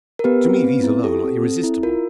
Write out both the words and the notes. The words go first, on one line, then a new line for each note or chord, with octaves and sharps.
To me these alone are irresistible.
A#4
B3 G4 B4
C4
C4
E4
G4 A4
C4
C4
E4
F4 A#4